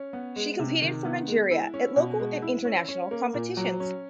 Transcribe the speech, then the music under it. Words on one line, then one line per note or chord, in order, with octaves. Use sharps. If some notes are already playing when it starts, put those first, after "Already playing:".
She competed for Nigeria at local and international competitions.
Already playing: C#4
B3
G#3
C3
D#3
B3
G#3
E4
C#4
B2
G#3
E4
C#4
C#4
A#3
A#2
F#3
C#4